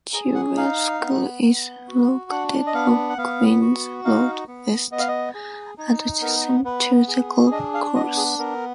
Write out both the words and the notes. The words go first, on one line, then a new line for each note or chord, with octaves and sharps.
Chilwell School is located off Queens Road West adjacent to the golf course.
G#4 A#5
F#5
D#4 F5
B3
B3
F#4
D4 F#5
D#5
B3 F5
F#5
B3 F5
F#4
D#4 F5
B3
B3 D#5
F5
D#5
G#4
D#4
B3 A#4
B3 B4
G#4
D4 D#5
F5
B3 D#5
G#4
B3 A#4